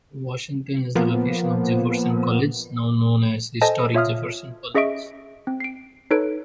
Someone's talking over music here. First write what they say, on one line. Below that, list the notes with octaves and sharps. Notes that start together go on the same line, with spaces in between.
Washington is the location of Jefferson College, now known as Historic Jefferson College.
F3 A#3 B3
A4 C5 D#5 G#5 A5
F4 C#5 E5 F5 D#6 F6
C#4 G#4 D#5 E5 C#6 D7
C4
C7 D7
D#4 A4 B4 C#5 D7